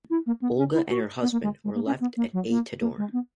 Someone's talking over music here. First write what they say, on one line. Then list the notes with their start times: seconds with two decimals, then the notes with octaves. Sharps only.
Olga and her husband were left at Ay-Todor.
0.10 E4
0.26 A#3
0.41 B3
0.57 C#4
0.74 E4
0.89 F#4
1.22 B3
1.32 A#3
1.43 G#3
1.64 G#3
1.75 A#3
1.86 C#4
2.00 B3
2.17 A#3
2.33 F#3
2.49 A#3
2.81 A#3
2.97 G#3
3.13 B3